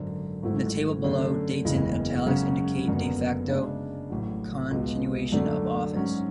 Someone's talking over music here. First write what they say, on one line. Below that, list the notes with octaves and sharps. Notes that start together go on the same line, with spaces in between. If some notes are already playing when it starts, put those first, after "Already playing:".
In the table below, dates in italics indicate "de facto "continuation of office.
Already playing: G#1 F#2 D3
G#1 G#2 F#3 A3 E4
F#2 D3 A3 C#4
F#1 E2 C#3 E3 G#3
F#2 C#3 G#3 C#4 F#4
F#1 F#2 D3 F#3 B3
C#3 G#3 D4
A1 A2 F#3
C#2 B2 G#3
F#2 D3 A3 D4 F#4
G#2 F#3 C#4